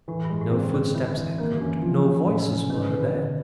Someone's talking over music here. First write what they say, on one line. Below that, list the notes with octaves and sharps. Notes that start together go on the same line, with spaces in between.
No footsteps echoed; no voices were there.
A2 E3
G2
G#3
A2
C4
D3
D3 C4
D#3 E4
D#3
D3 E3
D#3 A#3
E3
C#4
E3
F3
D#3
D#3 C#4
A2
C3
C#3 C#4
B2 D#3
D3
D#3
B3
D3
B2
D3